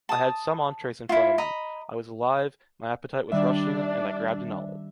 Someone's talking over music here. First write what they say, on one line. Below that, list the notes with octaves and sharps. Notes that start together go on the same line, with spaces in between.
I had some entrees in front of me, I was alive, my appetite was rushing, and I grabbed an olive.
A5 D#6
E4 F4
D#5 A#5 B5
D#3 G3 D4 E5